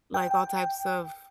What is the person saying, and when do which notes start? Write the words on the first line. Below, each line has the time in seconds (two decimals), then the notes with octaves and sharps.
like, all types of
0.14 G5